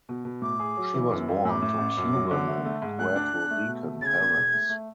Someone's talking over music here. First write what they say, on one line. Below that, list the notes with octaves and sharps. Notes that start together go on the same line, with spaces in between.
She was born to Cuban and Puerto Rican parents.
B2
B2
A2 D6
G#4
F#3
E3
F#2
F#2
A2 D6 E6
A2
A1
F#2
F#3
D3
A3
A3
G#2
D2 F#6
D4
D4
A3
B2
A3
C#3 G#6 A6
E2
E1
A3
A3